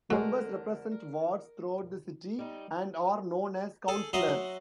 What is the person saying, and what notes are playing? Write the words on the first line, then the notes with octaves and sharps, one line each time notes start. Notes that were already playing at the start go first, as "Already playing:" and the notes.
Members represent wards throughout the city, and are known as councillors.
F2 D3 G#3 A3 F#4 A#4
A#4
G3 D#4
G#4 A4
F#3 F#4 E5 A#5 C6 D#6